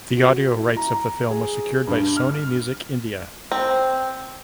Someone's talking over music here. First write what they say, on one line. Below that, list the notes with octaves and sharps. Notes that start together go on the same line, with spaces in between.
The audio rights of the film was secured by Sony Music India.
F#4
E4
A#5
G#4
G2
F6
C4